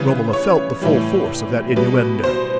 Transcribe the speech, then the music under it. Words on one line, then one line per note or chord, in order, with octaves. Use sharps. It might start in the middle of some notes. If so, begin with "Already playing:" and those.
Romola felt the full force of that innuendo.
Already playing: C#3 E3 G3 B4
C#5
A2 E3 G3
B2 G3 B4
C5